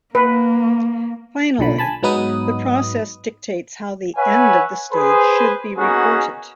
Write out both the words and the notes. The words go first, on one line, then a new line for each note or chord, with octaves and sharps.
Finally, the process dictates how the end of the stage should be reported.
A#3 B4
B1 A#2 D3 B5
G#5 A5 B5
G#2 F#3 B3 D#4 B4 D#6
B4 C#5 E5 F#5 G#5
G#4 B4 C5
A#3 B3 C#4 D#4 F#4 G#4